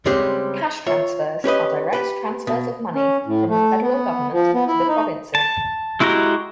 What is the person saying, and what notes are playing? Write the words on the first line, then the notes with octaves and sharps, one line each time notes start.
Cash transfers are direct transfers of money from the federal government to the provinces.
C#3 G3 G#3 C4 G4 C5
F4 C#5 E5
C#4 G4 B4 D#5
G4 B4
B2
C#4
A2
A3
B3
F3
B3
E4
D#4
A5
G#3 E4 F#4 G4 A#5